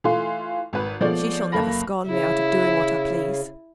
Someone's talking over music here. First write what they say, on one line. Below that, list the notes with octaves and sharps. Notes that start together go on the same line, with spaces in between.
She shall never scorn me out of doing what I please.
E3 A3 F4 C6
G#1 B4
F3 G#3 A3 B3 C#5 D5
F#1 A#3 A4 A#4 B5 A#6
C#3 E4